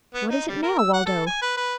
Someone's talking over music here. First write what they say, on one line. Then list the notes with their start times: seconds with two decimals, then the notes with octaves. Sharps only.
"What is it now, Waldo?"
0.14 B3
0.30 D#4
0.48 G3
0.63 A#4
0.79 E6
0.94 F#5
1.06 A4
1.27 G#5
1.42 B4
1.57 B4